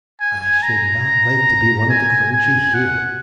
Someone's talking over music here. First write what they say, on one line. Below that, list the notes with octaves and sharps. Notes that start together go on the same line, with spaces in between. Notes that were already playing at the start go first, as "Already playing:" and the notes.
I should not like to be one of the clergy here.
G#5
A#5
G#5
G#5
F#5